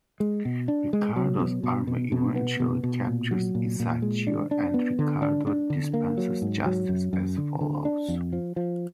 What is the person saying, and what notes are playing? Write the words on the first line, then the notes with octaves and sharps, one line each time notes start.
Riccardo's army eventually captures Isacio, and Riccardo dispenses justice as follows.
G#3
B2
D4
G#3
F#3
B2
B2
B2
B2
B3
B2
B2
A#2
F#3
A#2
A#2
G#3
D4
D4
B3
D3
D4
D4
D3
A#3
F#3
G#2
F#3
F#2
F#2
D3
D3
D4
F2
F3
F3